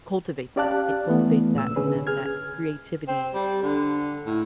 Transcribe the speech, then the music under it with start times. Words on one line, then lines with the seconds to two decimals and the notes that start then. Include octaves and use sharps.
cultivates that. It cultivates that in them, that creativity
0.56 C#4 G4 D5 F5 A5 F#6
1.09 E3 A3 B3
1.55 A#2 C#3 E6
1.76 D3 C#4 G#4 B4
2.07 G#4 F6 G#6
3.08 C4
3.34 G3
3.63 D3
4.26 A2